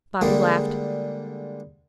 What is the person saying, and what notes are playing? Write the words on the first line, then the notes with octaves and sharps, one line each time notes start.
Bobby laughed.
D3 G3 G#3 A#3 G#4